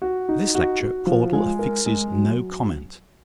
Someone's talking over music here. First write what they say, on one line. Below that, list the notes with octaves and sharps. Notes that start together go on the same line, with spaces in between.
To this lecture, Caudle affixes no comment.
F#4
D#4
F#4
F#4
F3
G#3
A#4
G#3
F#3